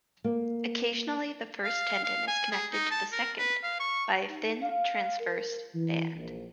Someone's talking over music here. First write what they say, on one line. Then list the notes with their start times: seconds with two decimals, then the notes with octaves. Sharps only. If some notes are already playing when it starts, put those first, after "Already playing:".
Occasionally the first tendon is connected to the second by a thin transverse band.
0.24 A#3
1.63 F5
2.04 F5
2.27 G#5
2.52 G#4
2.73 D#4
2.91 A5
3.12 A#4
3.38 B4
3.63 F5
3.80 C#6
4.28 D#4
4.63 F5
5.20 A#4
5.75 E3
6.16 A#1